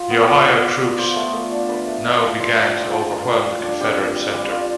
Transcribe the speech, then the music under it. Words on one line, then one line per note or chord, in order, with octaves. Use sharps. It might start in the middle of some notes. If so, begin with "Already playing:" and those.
The Ohio troops now began to overwhelm the Confederate center.
Already playing: F4
B3
F4 D5
B3
F4
B3
F4 C5
A3
A3
D4
D4 B4
A3
D4
F4
G3 C5
F4
F4
F4
F4 B4
G3
F4
D4
C4 G4
G3
G3
G3
F4